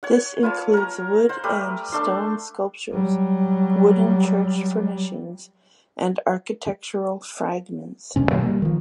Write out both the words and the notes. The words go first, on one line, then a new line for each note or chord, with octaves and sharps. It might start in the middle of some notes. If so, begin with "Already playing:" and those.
This includes wood and stone sculptures, wooden church furnishings and architectural fragments.
C#5 F#5
F4 B4 C#5 A5
A#4 A#5
C5 F#5
G3 A3 A#4 B4
A3 D4 A5 C6
F#3 G3
D2 G2 C3 C#4
B2 D#3 F#3 A#3
G3 A#3
D#3 F3